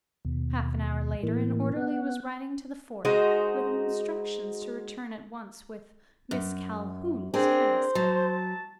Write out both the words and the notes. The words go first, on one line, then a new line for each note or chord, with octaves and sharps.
Half an hour later an orderly was riding to the fort with instructions to return at once with Miss Calhoun's candlestick.
D#2 B2
A2 E3 A#3
B3 F#5
G#3 D#4 F#4 C5
F#2
C4 D4 G#4 A#4 C5
F#3 A5